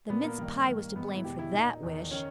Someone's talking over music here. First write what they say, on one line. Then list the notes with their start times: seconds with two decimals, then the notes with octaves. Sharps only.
The mince pie was to blame for THAT wish.
0.10 A#2 B3
0.23 A#3
0.38 G2 D#3 A#3
0.66 G2 D#3
0.96 G#2 D#3 B3
1.15 E4
1.25 E2 B2 G4
1.39 E4
1.54 A#2 D#4
1.83 E2 D#3
2.11 D#3 C#4